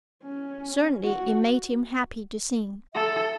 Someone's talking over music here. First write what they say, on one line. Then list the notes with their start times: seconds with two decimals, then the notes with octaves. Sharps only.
Certainly it made him happy to sing.
0.23 C#4
1.04 F#4
2.94 A4 E5